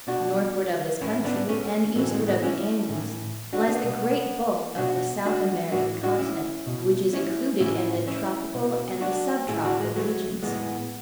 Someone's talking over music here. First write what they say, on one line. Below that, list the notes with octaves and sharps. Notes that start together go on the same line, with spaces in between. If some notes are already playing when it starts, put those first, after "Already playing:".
Northward of this country, and eastward of the Andes, lies the great bulk of the South American continent, which is included in the tropical and the subtropical regions.
B2 D4 F#4
A2 E3 C#4 E4
B3 D4
A3 C#4
A2 E3 F#3 A3
G#3
G#3 B3
C#4 E4
A2 E3
D4 F#4
B3 D4
B2
B2 D4 F#4
D4 F#4
A2 E3 D4 F#4
D4 F#4
C#4 E4
B2
C#4 E4
A2 E3 C#4 E4
C#4 E4
B2
D4 F#4
A2 E3 E4 G#4
D4 F#4
G#3
F#3 A3
A2 E3 G#3 B3